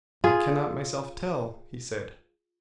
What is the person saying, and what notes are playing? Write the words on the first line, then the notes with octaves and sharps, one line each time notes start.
I cannot myself tell, he said.
F4 G#4